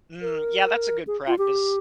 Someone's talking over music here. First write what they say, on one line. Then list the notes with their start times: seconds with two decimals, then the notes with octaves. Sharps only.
Mm, yeah, that's a good practice.
0.22 A#4
1.07 G#4
1.27 F4
1.38 G4